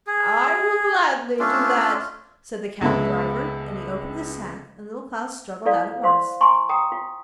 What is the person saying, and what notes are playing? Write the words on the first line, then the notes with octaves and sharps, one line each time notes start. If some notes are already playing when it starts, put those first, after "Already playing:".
'I will gladly do that,' said the cattle-driver; and he opened the sack, and Little Klaus struggled out at once.
G#4
A3 C#4 D4 F4
C#2 G#3 B3 A4 E5 B5
E4 A4 D5 F5
C5 F5 C6
G#5 A#5 C6 C#6
G5 A#5 D#6
F4